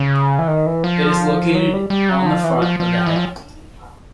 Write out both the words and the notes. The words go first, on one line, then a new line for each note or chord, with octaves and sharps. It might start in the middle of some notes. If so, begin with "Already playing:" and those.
It is located on the front of the head.
Already playing: C#3
E3
D#3
E3
F3
F#3
G3
G3
F#3
F3
E3
F3
F3
E3
F3